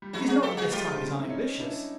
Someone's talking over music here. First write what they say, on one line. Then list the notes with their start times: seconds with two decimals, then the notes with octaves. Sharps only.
It is not that this type is unambitious.
0.02 G3
0.13 F#3 G#3 E4 F#4
0.28 F#4 G#4
0.42 G#3 A#3 G4 A4
0.57 F#4 G#4
0.65 G#3
0.71 G3 A3 F4 G4
0.91 C4 D4
1.23 E4
1.29 C#4 D#4
1.60 D4 E4